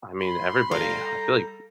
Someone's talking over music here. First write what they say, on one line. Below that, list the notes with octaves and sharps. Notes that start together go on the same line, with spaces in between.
I mean, everybody. I feel like
B5 C6
G3 A4 F5 A#5